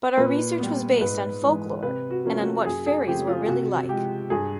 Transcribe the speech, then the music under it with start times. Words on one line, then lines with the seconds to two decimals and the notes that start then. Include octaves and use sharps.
But our research was based on folklore and on what faeries were really like.
0.18 A#2 B4
0.59 G3 B3
1.01 G#2 B4
1.42 E3 G#3
1.83 C3 B4
2.10 F#4
2.25 F3 A#3 C#4
2.39 F#4
2.65 F#2 G#4
2.86 G#4
3.07 C#3 F3 A3 C4 G4
3.27 F4
3.48 C3 F#4
3.89 F3 G#3 G4
4.30 G2 G#4